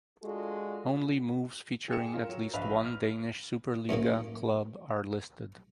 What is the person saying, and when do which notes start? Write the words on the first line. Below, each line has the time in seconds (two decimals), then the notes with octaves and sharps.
Only moves featuring at least one Danish Superliga club are listed.
0.22 G#3 D4 F4 F#4 A4
1.88 G#4 G5 G#5 C#7 E7
2.13 F4 A#4
2.29 F#3
2.53 A#1 B4 F5 F7
2.84 F6
3.89 F#2 A2 C#3 A#3